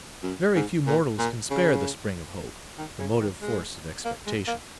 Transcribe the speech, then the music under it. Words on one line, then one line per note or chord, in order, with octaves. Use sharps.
Very few mortals can spare the spring of hope, the motive force of expectation.
F#2
G#2
A#2
A#2
C#3
D#3
C#3
D#3
G#3
A#3
G#3
A#3